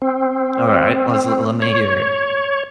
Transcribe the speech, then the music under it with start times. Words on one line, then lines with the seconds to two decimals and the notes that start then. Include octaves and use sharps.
Alright. Let's l let me hear it.
0.02 C4
1.62 C#5